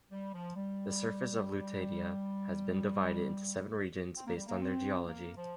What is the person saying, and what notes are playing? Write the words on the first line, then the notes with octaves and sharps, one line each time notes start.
The surface of Lutetia has been divided into seven regions based on their geology.
G3
F3
G3
C4
A#3
G3
A#3
C4
A#3
F3